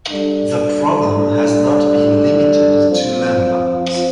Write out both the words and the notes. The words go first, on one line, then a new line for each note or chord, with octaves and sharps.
The problem has not been limited to landlines.
G3 D4 A4 D5
F3 C4 F4 C5